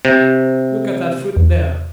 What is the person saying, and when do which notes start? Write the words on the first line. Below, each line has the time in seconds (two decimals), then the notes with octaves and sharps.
Look at that foot there.
0.05 C3
1.37 E2